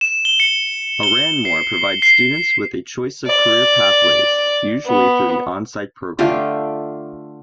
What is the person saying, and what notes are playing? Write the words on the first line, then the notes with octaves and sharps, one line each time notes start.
Aranmore provides students with a choice of career pathways, usually through the OnSite program.
E7
G7
C#7
G7
C7
C7
C7
D5
B3
D3 A3 F4 G4